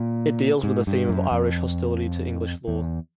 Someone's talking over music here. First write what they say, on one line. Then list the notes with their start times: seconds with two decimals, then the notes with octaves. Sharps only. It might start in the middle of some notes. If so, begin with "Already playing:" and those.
It deals with the theme of Irish hostility to English law.
Already playing: A#2
0.63 G#2
0.87 G2
1.09 F#2
1.31 F2
2.68 E2